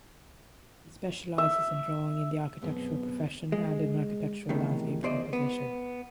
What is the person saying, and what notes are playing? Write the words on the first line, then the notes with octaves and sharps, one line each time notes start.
He specialises in drawing in the architectural profession and in architectural landscape composition.
E5
F#2 B2 B3 C4 G#4 B4
G#3
E2 A2 C3 D#3
E2 B2 C5 D5 D#5
B3